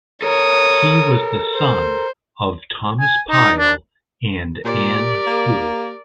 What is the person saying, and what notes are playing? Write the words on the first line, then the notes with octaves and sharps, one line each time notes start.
He was the son of Thomas Pile and Anne Poole.
A4 A#4 C#5 D#6
C5
G#5
D#4
D4
A#2 G4 A#4 D5
A#3